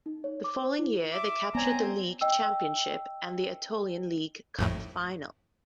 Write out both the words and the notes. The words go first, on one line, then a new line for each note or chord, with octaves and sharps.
The following year they captured the League Championship and the Aetolian League Cup Final.
D#4
C#5
D6
C5
E4
E5 D6
B3 C4 C#5 D5 G#5 A#5
D#5 G5 E6
G#1 F2 A2